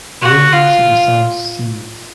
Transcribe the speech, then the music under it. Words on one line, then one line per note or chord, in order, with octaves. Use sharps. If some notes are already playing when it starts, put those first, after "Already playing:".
Romance in the South Seas!
F#4
F4